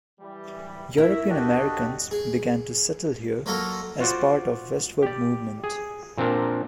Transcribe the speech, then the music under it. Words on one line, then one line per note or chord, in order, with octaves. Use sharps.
European Americans began to settle here as part of westward movement.
E3 G3
E4 A#4 C#5 E5
D4 F#4 G4 A4 D#5
G#4
F#3 A#3 F4 A4 A#4 D#5
F4 F#4 C5 D5
G4 D5
G#4
A#2 C4 D4 A#4